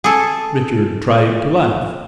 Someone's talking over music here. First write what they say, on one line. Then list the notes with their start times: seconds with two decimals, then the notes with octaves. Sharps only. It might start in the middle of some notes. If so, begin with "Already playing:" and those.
Richard tried to laugh.
0.04 G#4 A4